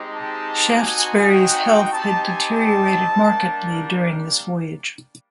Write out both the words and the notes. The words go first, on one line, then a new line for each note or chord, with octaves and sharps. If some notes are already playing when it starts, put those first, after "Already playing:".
Shaftesbury's health had deteriorated markedly during this voyage.
Already playing: G#3 C4 D#4 G4
A5
C4 D#4 F#4 G#5
G5
C4 D#4 G4 A5
G#5
A5
G3 A#3 D4